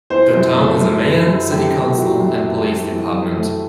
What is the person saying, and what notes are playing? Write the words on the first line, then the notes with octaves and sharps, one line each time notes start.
The town has a mayor, city council and police department.
E3 C5
F#2
A3
F#2
E3 B4
F#2
A3 G4
F#2
E3 F#4
F#2
A3
F#2
E3
F#2
A3